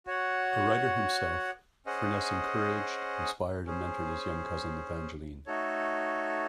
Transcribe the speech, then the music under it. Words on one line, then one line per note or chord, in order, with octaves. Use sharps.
A writer himself, Furness encouraged, inspired and mentored his young cousin Evangeline.
F#4 C#5 F#5
C#4 G#4 C5 D#5 F#5
C#4 G#4 C5
A3 D#4 F#4 A4 C#5